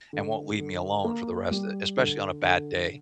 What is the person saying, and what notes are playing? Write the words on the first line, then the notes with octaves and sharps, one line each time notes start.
and won't leave me alone for the rest e especially on a bad day.
D3
D3
A#3
G3
D3
D3